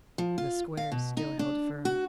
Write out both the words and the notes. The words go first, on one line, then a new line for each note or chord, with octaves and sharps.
The squares still held firm.
F3
F4
F5
B2
D#4
D4
F#4